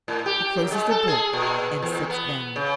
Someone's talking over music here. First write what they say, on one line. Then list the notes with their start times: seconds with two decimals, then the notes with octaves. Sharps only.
He closes the Book and sits down.
0.08 A2
0.26 G4
0.56 F#2
0.72 G#3
0.90 A4
1.08 G#4
1.33 A#2
1.82 E2
2.10 B3
2.56 C#3